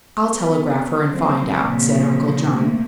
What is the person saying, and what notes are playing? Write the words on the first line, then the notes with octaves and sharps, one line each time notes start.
"I'll telegraph her, and find out," said Uncle John.
B3
F3 F#3 A#3 C4
A#2 C#3 F3
C3 A3 A#3